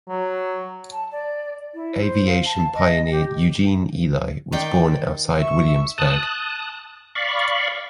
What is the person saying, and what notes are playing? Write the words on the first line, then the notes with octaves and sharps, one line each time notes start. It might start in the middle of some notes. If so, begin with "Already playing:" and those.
Aviation pioneer Eugene Ely was born outside Williamsburg.
F#3
A5
D5
E4
C5
F5
A5
D#5
G4
D#3 D5 G5
E5 C#6
A5 D#6 F#6
D5 F5 B5 C#6